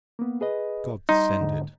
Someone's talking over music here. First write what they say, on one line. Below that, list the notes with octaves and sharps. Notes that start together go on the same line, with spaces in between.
God send it!
A#3 B3
G#4 B4 D#5
G3 D#4 C6
G#2 D3